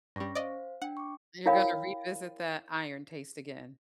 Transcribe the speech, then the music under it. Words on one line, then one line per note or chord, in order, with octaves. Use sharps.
You're gonna revisit that iron taste again.
G2 G3 C#4 C#6 A#6
C5 D5 D#5 F5
D4 F#5 G5
C#6 D6
E4 A#4 C#5 F5 G5 B5